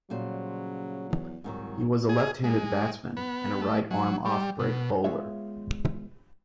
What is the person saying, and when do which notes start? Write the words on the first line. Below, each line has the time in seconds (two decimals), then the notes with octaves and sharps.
He was a left-handed batsman and a right-arm offbreak bowler.
0.10 A#2 C#3 F#3 G3 C5
1.09 E2
1.44 C2 G#2 D#3 F#3
2.09 G#4
2.44 G#3
3.17 B3
3.62 A3
3.91 F#3
4.25 G3
4.59 B2
5.04 G#3 B3 F4 C#5 E5